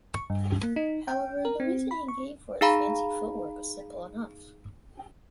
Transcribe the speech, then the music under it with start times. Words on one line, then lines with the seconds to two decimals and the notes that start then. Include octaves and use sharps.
However, the reason he gave for his fancy footwork was simple enough.
0.14 C#6
0.30 G2
0.63 A#3
0.76 D#4
1.08 G5
1.45 A#4
1.60 C4
1.91 B5
2.08 C#6
2.61 D#4 G#4 F5 A#5 B5